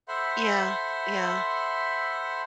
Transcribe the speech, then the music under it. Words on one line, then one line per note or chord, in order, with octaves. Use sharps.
Yeah, yeah.
A4 C5 E5 F#5 B5 C6